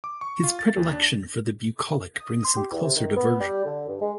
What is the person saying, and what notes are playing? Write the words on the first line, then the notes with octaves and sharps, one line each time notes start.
His predilection for the bucolic brings him closer to Virgil.
D6
C#6
F4
A6
D#2
D4
D#6
C6
G4
E2
C3
D#3
B3
G3
D3
G2
G#3